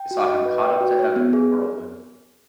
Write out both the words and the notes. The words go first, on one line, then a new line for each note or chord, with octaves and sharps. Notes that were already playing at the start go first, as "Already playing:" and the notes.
They saw him caught up to heaven in a whirlwind.
Already playing: G5
F#4
D#5
B4
G5
F#4
C#5
B3
G#4